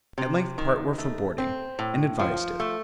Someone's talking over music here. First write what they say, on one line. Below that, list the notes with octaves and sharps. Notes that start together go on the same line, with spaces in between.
At length part were for boarding, and advised it.
C3
D#3
A3
C4
A2
F3
A3